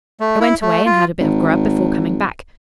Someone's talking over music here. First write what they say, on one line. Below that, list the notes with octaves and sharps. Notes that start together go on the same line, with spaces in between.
I went away and had a bit of grub before coming back.
A3
E4
A3
F4
G#1